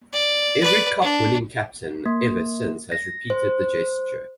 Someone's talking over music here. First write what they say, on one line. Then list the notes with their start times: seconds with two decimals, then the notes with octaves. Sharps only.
Every Cup-winning captain ever since has repeated the gesture.
0.13 D5
0.61 B4 D5
1.01 D4
2.06 A#3
2.92 A#6
3.30 C5